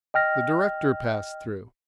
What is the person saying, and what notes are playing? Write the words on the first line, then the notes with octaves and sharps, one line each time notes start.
The director passed through.
D#5 G5 F6 A#6